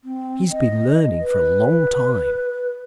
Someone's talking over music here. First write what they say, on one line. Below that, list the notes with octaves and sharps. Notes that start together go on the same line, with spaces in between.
"He's been learning for a long time."
C4
D#5
B4